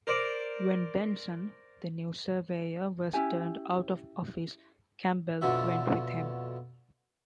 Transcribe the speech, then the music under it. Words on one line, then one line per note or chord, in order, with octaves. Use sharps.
When Benson, the new Surveyor was turned out of office, Campbell went with him.
A#4 C5 D5
C#4 E4 G4 G#5
F2 B2 D3 F#4 E5